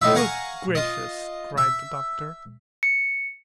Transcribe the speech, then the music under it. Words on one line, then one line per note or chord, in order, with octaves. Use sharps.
"Good gracious!" cried the Doctor.
A2 D#4 F4 E5
F5 F#5 G#5 A#5 C#6
F4 D#5
E5
C#7